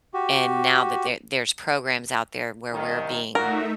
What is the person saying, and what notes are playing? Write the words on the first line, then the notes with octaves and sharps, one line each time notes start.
And now that there there's programs out there where we're being
F#4 G4
C2 D#3
A#2 A3 D#4 F#4 A#4 E5